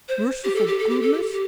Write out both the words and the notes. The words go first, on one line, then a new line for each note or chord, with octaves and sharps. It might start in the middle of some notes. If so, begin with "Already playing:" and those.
"Merciful goodness!"
C5
G4
A4
G4
A4
G4
A4
G4
G4